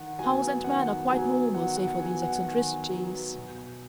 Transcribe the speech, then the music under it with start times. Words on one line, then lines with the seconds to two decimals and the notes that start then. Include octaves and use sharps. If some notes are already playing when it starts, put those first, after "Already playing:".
House and man are quite normal save for these eccentricities.
Already playing: D#3 F#5
0.19 F#3 B3 G#5
0.64 D#3 F#5
1.09 F#3 B3 G#5
1.54 D#3 F#5
1.77 F#5
1.99 F#3 B3 G#5
2.22 F#5
2.45 D#3 G#5
2.89 F#3 B3
3.36 B2